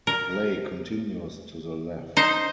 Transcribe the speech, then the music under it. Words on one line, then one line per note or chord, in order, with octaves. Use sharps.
Play continues to the left.
A#4
D#4 C5